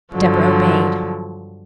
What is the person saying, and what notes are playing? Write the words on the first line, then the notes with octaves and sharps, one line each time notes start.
Deborah obeyed.
G2 D3 F3 F#3